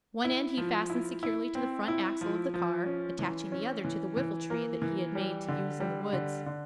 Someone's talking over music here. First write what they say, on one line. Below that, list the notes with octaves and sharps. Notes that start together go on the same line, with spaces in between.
One end he fastened securely to the front axle of the car, attaching the other to the whiffletree that he had made to use in the woods.
E4
F3
E4
E4
C4
E4
F3
F3
C#4
E3
C#4
E3
E3
A#3
E3
G3
D3
G3
D3
D3